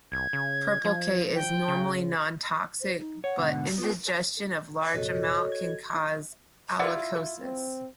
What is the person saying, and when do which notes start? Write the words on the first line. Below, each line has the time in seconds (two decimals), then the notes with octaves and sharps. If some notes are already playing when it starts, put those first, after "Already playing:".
Purple-K is normally non-toxic, but ingestion of large amount can cause alkalosis.
0.12 C2 G#6
0.33 C#3
0.84 F3
1.35 G5
1.68 C#3
2.81 C5
3.00 D#4
3.24 C#5 F#5
3.37 G#2 B2 D3
3.78 B3 F4
4.94 A#1 F2 C3 F#4 A4 C#5 D#5
5.52 G#6
6.79 E4 F4 D5 E5 F#5 D6
7.40 C4